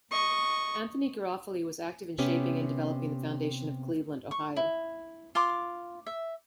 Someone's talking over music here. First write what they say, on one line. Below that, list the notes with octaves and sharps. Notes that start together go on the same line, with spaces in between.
Anthony Garofoli was active in shaping and developing the foundation of Cleveland, Ohio.
D#5 C#6
C3 B3 C#4 G4
C#6
E4
F4 C6 D6
E5